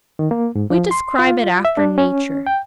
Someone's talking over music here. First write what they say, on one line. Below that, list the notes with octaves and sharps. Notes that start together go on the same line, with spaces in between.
We describe it after nature.
D#3
A#3
G#2
F3
C6
F4
E5
D4
C#4
G5